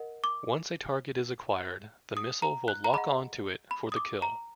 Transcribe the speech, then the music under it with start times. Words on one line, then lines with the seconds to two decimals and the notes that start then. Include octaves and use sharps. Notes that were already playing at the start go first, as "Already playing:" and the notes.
Once a target is acquired, the missile will lock-on to it for the kill.
Already playing: A#4 D#5 F#5
0.24 D6
2.17 D#6
2.42 A#5
2.68 F#6
2.84 A#5
2.94 G#4 D#5 F#5 B5
3.71 B5
3.92 D#6
3.96 D6
4.22 A#5